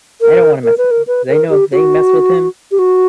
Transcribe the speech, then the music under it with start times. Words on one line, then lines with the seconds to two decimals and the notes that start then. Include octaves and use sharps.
I don't wanna mess with him, 'cause I know if they mess with him,
0.21 A#4
0.64 A#4
0.78 B4
0.91 A#4
1.07 B4
1.29 A#4
1.50 G4
1.72 F#4
2.71 G4
2.79 F#4